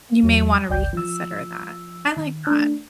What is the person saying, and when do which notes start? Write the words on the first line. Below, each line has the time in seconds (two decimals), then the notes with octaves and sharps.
you may wanna reconsider that. I like that.
0.23 E2 F#3
0.69 G1 C#2 D5 G5 G6
0.93 F3 E6
2.17 D#3
2.47 A3 D4